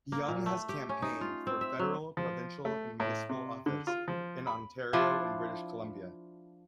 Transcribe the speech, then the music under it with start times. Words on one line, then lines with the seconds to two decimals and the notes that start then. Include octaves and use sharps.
Young has campaigned for federal, provincial and municipal office in Ontario and British Columbia.
0.12 A#3
0.28 A#2
0.46 A3
0.69 G4
0.89 C#4
1.02 D#4
1.21 F4
1.47 C4
1.61 E5
1.79 F#3
2.17 F3
2.65 A3
3.00 A2
3.29 C3
3.66 D3
3.87 F4
4.08 F3
4.47 B5
4.93 F3 D4 E4 F4